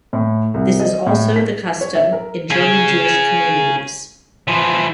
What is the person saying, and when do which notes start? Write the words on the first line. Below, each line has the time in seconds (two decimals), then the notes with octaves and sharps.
This is also the custom in German Jewish communities.
0.13 A2
0.54 C2
0.80 D#5
1.06 A2
1.36 B6
1.81 C#5
1.95 E5
2.13 A#4
2.51 C#4 G#4
4.48 E3 F3